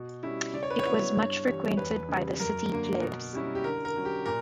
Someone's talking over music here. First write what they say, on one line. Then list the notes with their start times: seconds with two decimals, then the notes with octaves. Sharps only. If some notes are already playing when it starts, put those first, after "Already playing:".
It was much frequented by the city "plebs".
Already playing: B2
0.23 G3 C#4 E4
0.53 C#3 D5
0.63 C#5
0.70 B4
0.79 C#5
0.85 F#3 B3 E4
1.16 G2
1.47 E3 G3
1.77 E2 B4
2.09 C#3 G3
2.40 F#2 A#4
2.70 D3 A#3
3.01 B2
3.33 G3 C#4 E4
3.55 G4
3.64 D3 A#4
3.85 A#4
3.95 F#3 C#4
4.05 G4
4.26 A#2 A#4